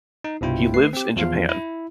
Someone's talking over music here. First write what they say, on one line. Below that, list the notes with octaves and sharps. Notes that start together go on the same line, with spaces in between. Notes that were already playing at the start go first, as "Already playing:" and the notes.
He lives in Japan.
D#4
C2 G2 B2 E4 F4 G5
A3 B4 C7
C4 G4
E2 F3 F4 F5
E4